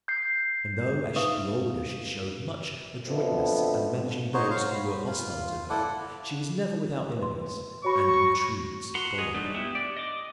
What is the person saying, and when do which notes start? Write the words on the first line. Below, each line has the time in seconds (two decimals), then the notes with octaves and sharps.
And though, as she grew older, she showed much adroitness in managing those who were hostile to her, she was never without enemies, and intrigues followed her.
0.08 G6 C7
1.16 D#4 B4 E5 F5 C#6 D#6
3.08 B2 D3 F3 A3 B3 C4
4.34 D#4 F#4 C5 C#5
4.50 F#3 C5 F5
4.74 B5
5.07 F4
5.70 E4 A4 D5 F#5
7.19 B4 C6
7.84 F#4 C#5 B5 C#6
8.95 F#4 B4 F#5 A#5 C6
9.18 G#4 D#5
9.34 F#3 G3 A3 D4 D#4
9.54 G#3 B3 E4 G4
9.75 D5
9.97 D#5 D6